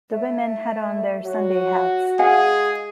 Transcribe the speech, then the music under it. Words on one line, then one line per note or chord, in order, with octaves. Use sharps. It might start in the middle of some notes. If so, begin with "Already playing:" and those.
The women had on their Sunday hats.
A3
F#3 F#4
G#3 G#4 F5 F#5 G#5